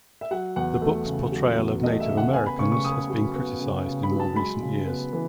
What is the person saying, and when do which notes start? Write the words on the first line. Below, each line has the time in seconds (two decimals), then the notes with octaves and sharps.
The book's portrayal of Native Americans has been criticized in more recent years.
0.21 E5
0.31 F#3 F#5
0.56 E2 F#5
0.81 A3
1.07 C#3
1.32 F#3
1.57 E2
1.83 A3 D#5
2.00 E5
2.08 C#3
2.17 F#5
2.34 B3 G#5
2.46 B5
2.59 C#3 C#6
2.72 C#6
2.84 C#3 D#6
3.10 F#3
3.35 B3
3.61 C#3
3.86 C#3
4.03 B5
4.11 F#3
4.20 A5
4.36 G#3 B5
4.62 C#3
4.87 B3
5.13 E3